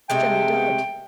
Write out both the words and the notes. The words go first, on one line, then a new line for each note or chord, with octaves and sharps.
"Jemmy Dadd."
C3 G#3 A3 G5